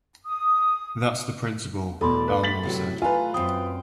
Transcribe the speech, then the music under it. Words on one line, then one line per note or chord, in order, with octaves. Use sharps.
That's the principle, Ballmer said.
D#6
E2 B2 A3 A4 D5 B5 C6
B4
A6 B6 F#7
A2 C3 F#3
A3 F4 B4 G#5 A#5
F#2 C4 G5 D#6